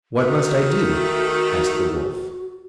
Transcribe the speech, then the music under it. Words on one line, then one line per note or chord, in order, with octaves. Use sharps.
"What must I do?" asked the Wolf.
D#3 A3 F#4